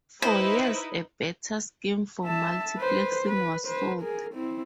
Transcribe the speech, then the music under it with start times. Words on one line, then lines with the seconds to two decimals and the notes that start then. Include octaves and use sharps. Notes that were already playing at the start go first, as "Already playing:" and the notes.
For years a better scheme for multiplexing was sought.
0.22 D#4 E4 B4 C5
2.26 E5 A5
2.78 B4 C5
3.26 B4
3.65 B4 C5
4.02 G#4 A#4
4.34 C4 E4